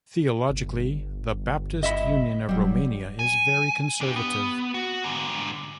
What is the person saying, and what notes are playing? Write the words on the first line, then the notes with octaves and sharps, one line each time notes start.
Theologically, the Baptist Union of Romania is very conservative.
G1
D#5 E5 B5
E1 F#3 G3
G#5
D4 G4
B3
F#4
G#2 D3